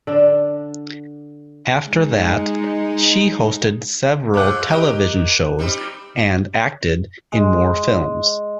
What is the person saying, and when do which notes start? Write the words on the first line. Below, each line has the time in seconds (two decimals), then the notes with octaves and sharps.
After that, she hosted several television shows and acted in more films.
0.07 D3 D4
1.87 G#3 D#4
4.34 F3 G#3 A3 D6 F#6
4.68 G4 A#4 D#5
5.59 G3 C4 D#4
7.32 G#3